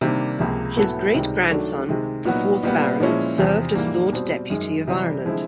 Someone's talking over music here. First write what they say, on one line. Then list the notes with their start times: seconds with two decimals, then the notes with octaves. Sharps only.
His great-grandson, the fourth Baron, served as Lord Deputy of Ireland.
0.01 C3 D#3 G3 A#3 D4
0.39 C#2 C3 F3 A#3
0.76 A2 F#3 B3 E4 A4
1.14 C#2 C3 D#3 G3
1.50 D#3 F#3 A3 D4
1.88 C3 D#3 G#3
2.25 A#2 F#3 B3 D#4 F#4
2.63 A#2 G3 B3
3.00 A#2 F3 G#3 C#4 E4
3.38 E2 C3 F3
3.75 G#2 E3 G3 A#3
4.12 B2 G3 C4
4.50 F#2 D#3 G#3
4.87 C3 E3 G3
5.25 D3 F3 G#3 C4 E4